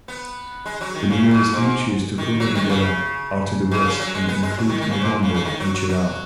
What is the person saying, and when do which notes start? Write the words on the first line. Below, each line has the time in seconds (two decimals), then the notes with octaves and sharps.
The nearest beaches to Kurunegala are to the west and include Negombo and Chilaw.
0.08 B3
0.66 G#3
0.81 F#3
0.95 D#3
1.10 C#3
1.31 B2
1.54 G#2
2.18 D#3
2.40 F#3
2.55 D#3
2.69 C#3
3.71 B2
3.85 C#3
4.00 F#3
4.15 G#3
4.29 B3
4.43 G#3
4.58 F#3
4.69 D#3
4.80 D#3
4.90 C#3
5.02 G#2
5.23 C#3
5.34 C#3
5.45 D#3
5.60 F#3
5.74 F#3
5.89 F#3